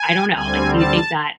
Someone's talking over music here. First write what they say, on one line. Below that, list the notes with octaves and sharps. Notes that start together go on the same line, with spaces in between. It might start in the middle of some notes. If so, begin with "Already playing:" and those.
I don't know, like, do you think that
Already playing: G#5
D2 D3 G3 C4 G#5
A5